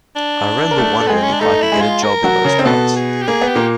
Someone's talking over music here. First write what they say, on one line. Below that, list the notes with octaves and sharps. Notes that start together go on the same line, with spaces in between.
I remember wondering if I could get a job in those parts.
D4
A#4
A3 A4
A4
G#3 B3 G#4
C4
C#4
D4
A3 D#4 A4
E4
G#3 G#4
F4
A#4
F#3 F#4
C#3 C#4
C4
B2 B3 A4
G#4
G4
A#3 G#4
B3
G4
A#2 A#3